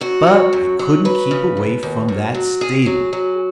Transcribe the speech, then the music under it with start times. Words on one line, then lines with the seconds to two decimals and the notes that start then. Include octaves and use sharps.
But I couldn't keep away from that stable.
0.01 F#2 F#4
0.27 F#3
0.53 F#2
0.79 F#3
1.05 F#3 B4
1.31 C#3
1.57 D#2
1.83 D#2
2.08 F#2
2.34 F#3
2.61 F#2 G#4
2.86 F#3
3.13 F#3